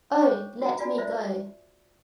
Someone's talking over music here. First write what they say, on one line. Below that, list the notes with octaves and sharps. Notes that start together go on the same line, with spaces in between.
Oh, let me go!
C5 C#5 G5 C#6 D6
F#4 A#5
F4 F#4 D5 G#5
E4 C5 D5 E5